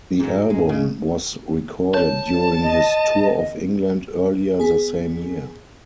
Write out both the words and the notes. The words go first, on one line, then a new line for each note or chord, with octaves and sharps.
The album was recorded during his tour of England earlier the same year.
G#2 F#3
G#3
C#3
C#5 A5
D#5
B3 G#4